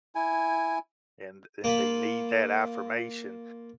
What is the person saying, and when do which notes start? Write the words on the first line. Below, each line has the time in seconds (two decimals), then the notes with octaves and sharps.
and and they need that affirmation.
0.15 E4 G#5
1.64 A#3 F4 B5